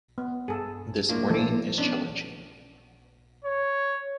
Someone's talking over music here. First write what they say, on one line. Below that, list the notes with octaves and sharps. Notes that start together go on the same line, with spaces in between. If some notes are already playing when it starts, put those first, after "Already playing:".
This morning is challenging.
B3
G2 G#4 A4
A2 A#3 D4 F4
E3 F3 A4
B3 C#4 D4
C#5